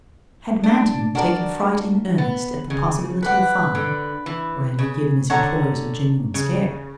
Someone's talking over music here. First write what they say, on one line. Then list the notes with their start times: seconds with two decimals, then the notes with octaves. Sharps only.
Had Manton taken fright in earnest at the possibility of fire, or had he given his employees a genuine scare?
0.64 D4
1.15 D4 F#4 A#4 D5
2.18 B3
2.70 C#3
3.23 B4 D5 F#5
3.75 D3
4.26 E3
4.79 C#3
5.30 D3 C#5 F#5 A#5
6.34 C#3